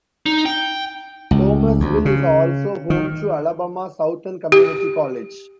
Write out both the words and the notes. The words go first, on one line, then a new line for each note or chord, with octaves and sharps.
Thomasville is also home to Alabama Southern Community College.
D#4
G5
C#2
D2
C#3
D#3
G4